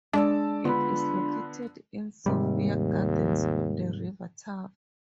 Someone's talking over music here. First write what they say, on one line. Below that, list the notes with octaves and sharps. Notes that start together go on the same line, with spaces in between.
It is located in Sophia Gardens on the River Taff.
G#3 D4 D5 A5 E6
D3 B3 F4 B5
D#2 G#2 C3 G3